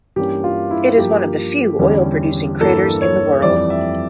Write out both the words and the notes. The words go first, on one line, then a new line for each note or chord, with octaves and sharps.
It is one of the few oil-producing craters in the world.
G2 E3 A#3 C#4 G4
F4
E4
G2 F3 A#3 G4
E2 D3 G3 C#4
G2 E3 A#3 A4
C#5
F2 E3 G3 D5
E5